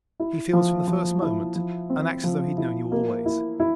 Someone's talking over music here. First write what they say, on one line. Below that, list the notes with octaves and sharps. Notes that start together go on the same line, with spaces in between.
He feels from the first moment, and acts, as though he had known you always.
E4
F3
F3
E4
F3
C4
F3
E4
A#3
E4
E4